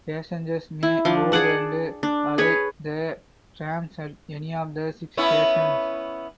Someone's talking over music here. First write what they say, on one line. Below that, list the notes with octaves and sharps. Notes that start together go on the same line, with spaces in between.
Passengers may board and alight the trams at any of the six stations.
E4
F3 D4
G#4 D5 F#5 A5
D4
G#4 B4 C#5
B3 C#4 E4